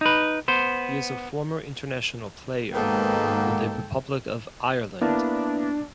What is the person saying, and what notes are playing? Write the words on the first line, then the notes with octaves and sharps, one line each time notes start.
He is a former international player with the Republic of Ireland.
D#4 B4
B3 C5
G#2 B2 D#3 A#3 B3 A4 G5
A#3 B3 D4 E4